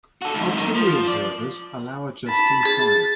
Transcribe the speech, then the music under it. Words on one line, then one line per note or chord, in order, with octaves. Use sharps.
Artillery observers allow adjusting fire.
F#4 A4
D2 G#2
F#2 D#3
F3
D5
A5 B5
G#4 A6